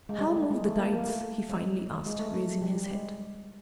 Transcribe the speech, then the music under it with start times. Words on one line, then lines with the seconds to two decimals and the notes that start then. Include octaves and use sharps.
"How move the tides?" he finally asked, raising his head.
0.09 G#3
0.19 G3
0.27 G#3
0.36 A3
0.51 G#3
0.65 A3
0.79 A#3
0.93 A#3
1.06 A3
1.21 A3
1.49 G#3
2.06 G#3
2.19 A3
2.34 A3
2.61 G3
2.75 G3
2.91 G#3